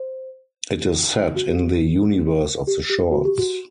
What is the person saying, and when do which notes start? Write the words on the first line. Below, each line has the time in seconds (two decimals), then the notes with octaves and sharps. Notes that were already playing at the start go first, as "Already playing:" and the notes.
It is set in the universe of the shorts.
Already playing: C5
1.36 F#4
2.67 G4
2.89 G4
3.11 F#4
3.25 G4
3.39 F#4